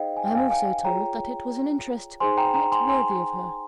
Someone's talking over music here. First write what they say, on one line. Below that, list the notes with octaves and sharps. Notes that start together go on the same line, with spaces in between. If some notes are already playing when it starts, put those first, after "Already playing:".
I am also told that it was an interest quite worthy of her.
Already playing: D#4 G#4 C5 D#5 F5 G5
G#5
G5
F5 G#5
F5 G#5
F4 G#4 C#5 G5 A#5
D#4 G#4 C5 G#5 C6
G5 A#5
G5 A#5
G#5 C6
G#5 C6